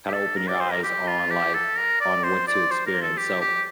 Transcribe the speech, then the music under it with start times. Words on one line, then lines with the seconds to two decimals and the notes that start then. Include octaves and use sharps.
kinda open your eyes on, like on what to experience, so
0.08 G4
0.13 A4
0.37 A#4
0.48 D5
0.60 C5
0.72 A#4
0.83 G4
1.07 F4
1.30 G4
1.54 A4
1.77 A#4
2.01 D5
2.24 C5
2.48 D5
2.71 C5
2.87 A#4
3.02 A4
3.17 G4
3.41 G4